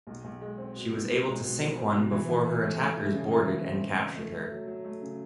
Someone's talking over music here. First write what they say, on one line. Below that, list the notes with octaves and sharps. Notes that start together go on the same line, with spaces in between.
She was able to sink one before her attackers boarded and captured her.
B1
B1
G#3
C4
B2
B2
B1
G#3
B2
C4
C4
B2
E3
E3
E3
A3
A3
E3
C#3
E3
E3
C4
C#3
C#3
A3
A3
F#3
F#3
A3
C#3